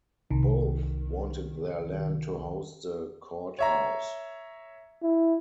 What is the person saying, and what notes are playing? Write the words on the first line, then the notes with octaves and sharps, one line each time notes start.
Both wanted their land to host the courthouse.
C2 D#3
C#5 E5 A#5
E4